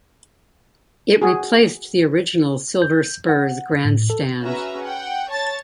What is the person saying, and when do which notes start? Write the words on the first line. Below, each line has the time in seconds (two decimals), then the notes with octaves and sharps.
It replaced the original Silver Spurs grand stand.
1.22 F#4 G#4
2.82 G6
3.29 F#5
3.85 A2
4.10 A4
4.41 C#4 F#4 G#4 B4 E5 A#5
4.84 F#5 G5
5.30 C#5 A5 A6